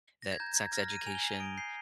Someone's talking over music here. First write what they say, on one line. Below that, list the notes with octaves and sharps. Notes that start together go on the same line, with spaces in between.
that sex education
A#6
G#6
A#5 G6
A#5 G#6
F6 A#6
A#5 D#7
G#5 F7
G7
G#5
D#7
D#6 D7
G6 C7